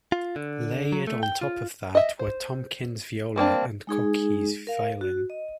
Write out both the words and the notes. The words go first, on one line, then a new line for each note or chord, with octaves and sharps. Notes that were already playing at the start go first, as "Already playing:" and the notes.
Layered on top of that were Tompkins' viola and Cockey's violin.
F4
D3
F#3
A3
G5
F4
D#5 E5
C5
G3 A#3 C4 D4
G#3 D#4 G#4
A#4 F5
F#4
D#5